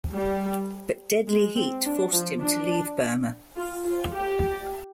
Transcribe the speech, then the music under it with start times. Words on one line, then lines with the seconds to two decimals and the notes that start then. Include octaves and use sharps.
But deadly heat forced him to leave Burma.
0.13 G3
1.27 G#3
1.55 C4
1.85 D4
2.13 F3
2.42 D4
3.56 F4
3.85 F4
4.14 G4